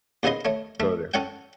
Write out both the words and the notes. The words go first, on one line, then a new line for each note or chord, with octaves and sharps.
Go there.
D#2 C#3 B3 G#4 D#5 C6
A3 C#5
A3 E5
C#4 A4 C#5 F#5 G5